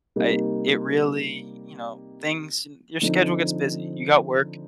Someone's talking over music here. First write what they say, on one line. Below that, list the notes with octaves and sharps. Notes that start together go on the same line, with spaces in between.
I it really you know, things your schedule gets busy. You got work,
C3 G3 A#3 D#4
D3 F3 C4 D#4